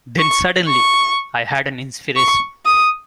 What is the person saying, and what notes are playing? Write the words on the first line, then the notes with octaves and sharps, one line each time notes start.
Then suddenly I had an inspiration.
C#6
C#6
C#6
D#6